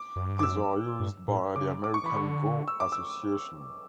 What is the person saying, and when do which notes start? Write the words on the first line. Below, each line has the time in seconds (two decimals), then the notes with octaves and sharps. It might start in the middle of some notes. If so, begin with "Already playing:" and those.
These are used by the American Go Association.
Already playing: D6
0.16 F#2
0.29 G2
0.39 D6
0.43 F#2 E6
1.00 G2
1.28 A2
1.56 C#3 D6
1.84 D6
1.94 C#6
2.03 E3 B5
2.12 D3 C#6
2.68 E6
2.80 D6
2.92 E6